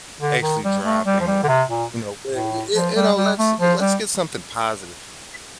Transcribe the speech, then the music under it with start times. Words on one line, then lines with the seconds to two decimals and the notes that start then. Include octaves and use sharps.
actually dropping," or, you know, where you eh you know, let's let's get something positive here.
0.21 D3
0.42 D#3
0.64 G3
0.85 A3
1.06 G3
1.21 F3
1.27 G3
1.44 D3
1.48 C3
1.69 A#2
2.32 A2
2.75 F3
2.96 G3
3.17 G3
3.38 A3
3.59 F3
3.81 G3